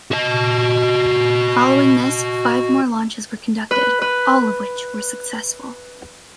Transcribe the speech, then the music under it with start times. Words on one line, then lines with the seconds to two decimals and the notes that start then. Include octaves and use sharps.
Following this, five more launches were conducted, all of which were successful.
0.11 F#4 D#5
3.71 B4
4.02 B4